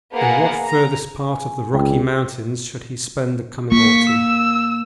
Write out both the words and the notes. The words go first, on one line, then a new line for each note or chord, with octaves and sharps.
In what furthest part of the Rocky Mountains should he spend the coming autumn?
A#3 B3 G#4 F#5
A#5
G#5
C#2 G#4 D5 G5
A#3 C#6 B6
E6